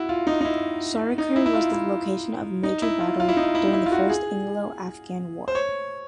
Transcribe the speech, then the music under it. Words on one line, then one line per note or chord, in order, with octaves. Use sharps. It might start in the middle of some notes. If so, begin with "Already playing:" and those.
Charikar was the location of major battle during the First Anglo-Afghan War.
Already playing: E4 F#4
F4
D#4
D#4
E4
D#4
E4
E4
F4
E4
D#4
E4
F4
F4
E4
D#4
E4
D#4
E4
F4
F#4
G#4
C5
C#5